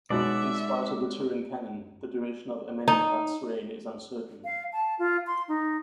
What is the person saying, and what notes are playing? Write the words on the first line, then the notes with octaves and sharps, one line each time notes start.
In spite of the Turin canon, the duration of Amenemhat's reign is uncertain.
B2 G#3 C#4 D#4 D5 E5 F#5
D#4
F5
A5
F4
C6
D#4